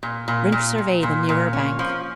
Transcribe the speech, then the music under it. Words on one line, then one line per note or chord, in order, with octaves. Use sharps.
Rynch surveyed the nearer bank.
A#2
A#2
A#2
A#2
A#2
A#2
C#4
F3